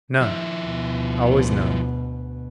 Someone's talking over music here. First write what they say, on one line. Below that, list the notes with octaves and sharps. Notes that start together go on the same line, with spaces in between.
None--always "none."
F3 E4
D2 B2